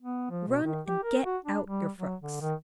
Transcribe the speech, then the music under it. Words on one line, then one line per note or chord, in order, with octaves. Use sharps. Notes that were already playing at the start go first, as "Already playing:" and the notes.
Run and get out your frocks.'
B3
F3
B2
D#3
G4
A#4
F#4
D4
G3
F#3
D3
D#3